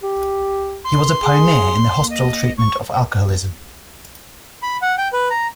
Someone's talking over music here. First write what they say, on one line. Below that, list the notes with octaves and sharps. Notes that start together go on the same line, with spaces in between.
He was a pioneer in the hospital treatment of alcoholism.
G4
C6
G#4
A#3
D#5
C#6
B5
F#5
G5
B4
A#5